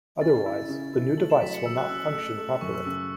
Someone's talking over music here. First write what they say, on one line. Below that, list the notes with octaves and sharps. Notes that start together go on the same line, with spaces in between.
Otherwise, the new device will not function properly.
C#4 A6
E4
C#3
E4
A3 F#7
E7
F#3 B6
C#7
F#3 E6
F#6
C#4 E6
F#6
A3 E6
A3
F#2 C#6
E6
C#3 E6